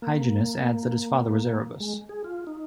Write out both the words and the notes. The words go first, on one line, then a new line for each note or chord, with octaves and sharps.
Hyginus adds that his father was Erebus.
A#3
G#3
G#4
F4
D#4